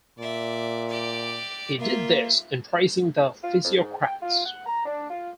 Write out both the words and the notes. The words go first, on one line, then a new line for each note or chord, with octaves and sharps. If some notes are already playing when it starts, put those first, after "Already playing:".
He did this in praising the Physiocrats.
A#2 D5 E5
G4 D5
A#3 F4 E5
F4
F2
G#2
G5
F4
F#5
A#5
D4
F4